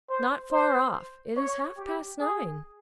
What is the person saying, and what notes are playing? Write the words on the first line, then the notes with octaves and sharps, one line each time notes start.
'Not far off--it is half-past nine.
C5
C5
C#5
G4
G#4